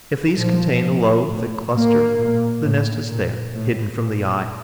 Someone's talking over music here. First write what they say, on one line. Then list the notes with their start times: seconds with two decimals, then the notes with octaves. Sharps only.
If these contain a low, thick cluster, the nest is there, hidden from the eye.
0.36 A#2 F3
0.82 A#2
1.27 A2
1.72 A2 A#3
2.18 A#2
2.63 A2
3.09 A#2
3.54 A2
3.99 A#2